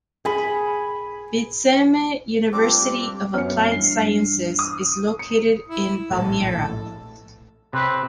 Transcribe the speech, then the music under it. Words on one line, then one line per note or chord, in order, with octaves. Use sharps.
Vidzeme University of Applied Sciences is located in Valmiera.
G#4 G#5 B5
G3 A3 C4 D4 F4 G4 D6
F#2 B3 C#4 F6 C#7
G2 E3 G3 C7
D#6
C#7
E4
A#1 A2 A4
A2 C3 C4 B4